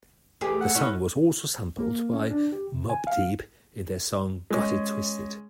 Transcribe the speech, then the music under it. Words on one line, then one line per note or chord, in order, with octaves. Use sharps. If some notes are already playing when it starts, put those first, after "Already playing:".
The song was also sampled by Mobb Deep in their song "Got It Twisted".
E2 A3 G4 G#4
F#5
C#4 E4 F#4
A#3
C#4
D4
G4
C3
G#5
F5
G#3 C#4